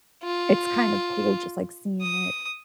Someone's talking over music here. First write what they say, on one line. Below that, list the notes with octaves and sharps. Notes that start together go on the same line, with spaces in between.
it's kind of cool just, like, seeing it
F4
D#6